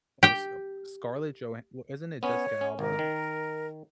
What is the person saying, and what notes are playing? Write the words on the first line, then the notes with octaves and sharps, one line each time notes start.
Oh, was, uh, Scarlet Joha wh isn't it Jessica Alba?
G4 G5
B3 C#4 C#5
C#4
G#1 A#4
D#3